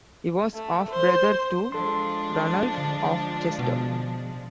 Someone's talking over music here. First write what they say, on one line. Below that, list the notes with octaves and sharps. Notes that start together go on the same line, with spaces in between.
He was half-brother to Ranulf of Chester.
A3
C5
F3 G#3 D4 A4 C6
D3
B2